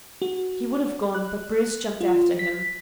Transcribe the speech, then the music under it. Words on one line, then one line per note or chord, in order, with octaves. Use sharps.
He would have gone, but Bruce jumped after him.
F#4
F#6
F4
B6